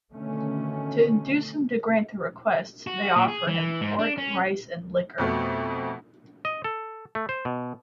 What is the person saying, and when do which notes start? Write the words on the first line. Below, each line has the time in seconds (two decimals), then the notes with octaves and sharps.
To induce him to grant their requests, they offer him pork, rice, and liquor.
0.13 B2 D3 D#3 A3 C#4
2.87 F#4
3.16 A#2
3.28 G#4
3.47 E3
3.81 G#2
3.99 D4
4.18 C#4
5.18 F2 B2 A3
6.45 D#5
6.64 A4
7.15 A3
7.29 C5
7.45 B2